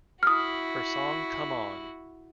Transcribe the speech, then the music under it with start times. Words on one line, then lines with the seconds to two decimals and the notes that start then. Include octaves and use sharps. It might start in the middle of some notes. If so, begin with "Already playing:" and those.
Her song Come On!
0.23 E4 F#4 D#6 F6